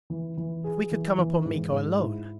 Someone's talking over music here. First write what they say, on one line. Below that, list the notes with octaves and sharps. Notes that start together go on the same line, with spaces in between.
If we could come upon Miko alone!
E3
E3
G#4
E3
E3
G#2
G#2
E4